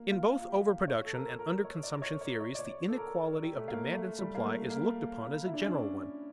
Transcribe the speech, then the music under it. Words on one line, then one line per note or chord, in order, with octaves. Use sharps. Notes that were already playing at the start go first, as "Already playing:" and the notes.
In both over-production and under-consumption theories the inequality of demand and supply is looked upon as a general one.
Already playing: A#3
F4
F4
G4
C#5
A4
A#4
A#4
C#5
D5
C#5
C#5
C#5
D5
C#5
A4
A#4
G4
A3
A#3
A3
G3
A#3
A3
A#3
E4
D4
C#4
D4